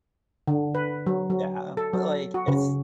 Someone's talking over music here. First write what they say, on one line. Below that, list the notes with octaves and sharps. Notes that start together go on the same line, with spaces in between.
Yeah, but, like, it's
D3
B4
F#3
F#3
A4
F#3
F#4
C#3